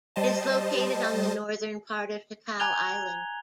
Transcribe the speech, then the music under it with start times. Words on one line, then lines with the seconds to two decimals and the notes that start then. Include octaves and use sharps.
It is located on the northern part of Ticao Island.
0.16 G3 C5 D#5 A5
2.59 G#5 A#5 F#6 G#6 F7 G7